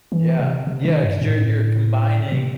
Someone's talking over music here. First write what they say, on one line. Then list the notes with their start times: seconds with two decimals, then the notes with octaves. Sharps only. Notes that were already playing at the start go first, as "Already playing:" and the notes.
Yeah, yeah, 'cause you're you're combining,
0.12 E3
0.39 C3
0.67 C3
0.85 D#3
1.04 G2
1.21 A2
2.32 C3